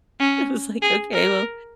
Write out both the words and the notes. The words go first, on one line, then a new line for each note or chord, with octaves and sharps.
I was like, “Okay, well.”
C#4
G#4
A#4